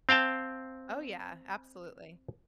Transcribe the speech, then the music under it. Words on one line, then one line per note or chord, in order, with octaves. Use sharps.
Oh, yeah, absolutely.
C4 F5 G5 A5